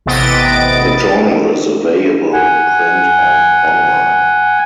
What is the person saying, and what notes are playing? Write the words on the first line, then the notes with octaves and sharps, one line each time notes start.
The journal is available in print and online.
A1 C3 B3 D#5 A6 D7
F#5 G#5